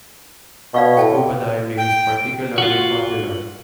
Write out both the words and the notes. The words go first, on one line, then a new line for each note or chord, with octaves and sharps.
Scuba diving is particularly popular.
B2 D5 F5 C#6
A2 G5 A5
G5
F4 F#4